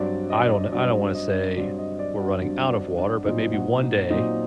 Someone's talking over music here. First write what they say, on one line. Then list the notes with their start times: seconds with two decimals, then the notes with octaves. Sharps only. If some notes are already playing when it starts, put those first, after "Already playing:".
I don't kn I don't wanna say we're running out of water, but maybe one day,
Already playing: G2 F#3 C4 D5
0.30 D#5
0.72 G2 F#3 C4 D5
1.15 D#5
1.57 G2 F#3 C4 D5
1.79 D#5
1.99 D5
2.20 F#4
2.41 G2 F#3 C4 D4
2.69 D4
2.98 D4
3.26 A#2 F#3 C4 D#4
3.54 F#4
3.83 D#4
4.10 A#2 F#3 C4 D#4